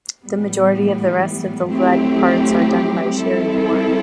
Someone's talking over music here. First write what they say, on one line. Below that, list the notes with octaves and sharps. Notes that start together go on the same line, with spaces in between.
The majority of the rest of the lead parts are done by Cherie Moor.
A2 E3 G3 B3
F#3 A3 C4 E4 G4
G3 C4 E4 A4